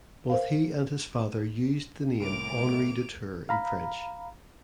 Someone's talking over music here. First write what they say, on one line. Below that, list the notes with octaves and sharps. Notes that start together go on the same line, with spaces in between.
Both he and his father used the name "Henri du Tour" in French.
A#4 C5 F5
C2 A2 A#3 A#4 D6 D7 F7
F5 A#5 B5